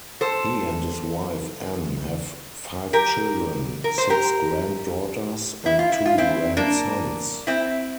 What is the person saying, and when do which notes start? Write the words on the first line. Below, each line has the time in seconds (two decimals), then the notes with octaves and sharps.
He and his wife Ann have five children, six granddaughters, and two grandsons.
0.21 A4 C5
2.93 G4 A#4
3.84 A#4
3.98 C5
4.10 G4 A#4
5.66 E4
5.79 F4
5.92 E4
6.06 F4
6.18 C4 E4
6.57 A#3 D4
7.47 C4 E4